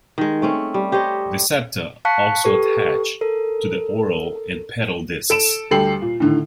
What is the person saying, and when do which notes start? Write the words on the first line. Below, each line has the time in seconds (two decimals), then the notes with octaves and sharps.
The septa also attach to the oral and pedal discs.
0.18 D#3 G#3
0.42 A3 C4 C#4
0.74 G3
0.92 G4 C5 C#5 D#5
2.05 F5 A5 C#6 F#6 B6 C#7
2.44 G4 A4 B4 C#6
3.21 A4 A#4
5.30 A4 D7 E7
5.71 D2 G3 G4 A4 C7 F#7
6.02 A#2
6.20 A2 D3 D#3